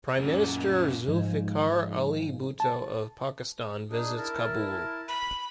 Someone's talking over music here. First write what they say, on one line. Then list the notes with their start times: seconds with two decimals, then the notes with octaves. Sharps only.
Prime Minister Zulfikar Ali Bhutto of Pakistan visits Kabul.
0.18 F#2 A#2
1.08 G#2 F3 G#3
2.60 A5
3.90 D4 D#4 G#4
4.17 E4 A#4 A5
5.08 B5